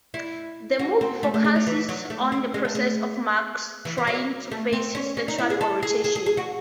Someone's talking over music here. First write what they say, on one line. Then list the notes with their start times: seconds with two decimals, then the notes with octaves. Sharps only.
The movie focuses on the process of Mark's trying to face his sexual orientation.
0.14 E4
0.79 F#4
1.01 C4
1.23 A3
1.34 A3
1.44 G#3
1.56 F#3
1.67 E3
1.89 F#3
2.10 A3
2.32 C4
2.54 G#3
2.65 A3
2.75 G#3
3.85 E3
3.98 E3
4.07 F#3
4.51 A3
4.73 C4
4.95 C#4
5.17 C#4
5.28 D#4
5.38 E4
5.50 G#4
5.61 A4
5.83 G#4
6.04 G#4
6.16 G#4
6.26 G#4
6.37 F#4